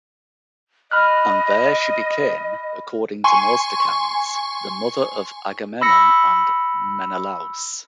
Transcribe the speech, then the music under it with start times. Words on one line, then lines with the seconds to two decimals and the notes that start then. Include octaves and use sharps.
And there she became, according to most accounts, the mother of Agamemnon and Menelaus.
0.91 D#5 B5 F6 F#6
3.24 G#5 C6 C#6
5.81 B5 E6 A#6 C#7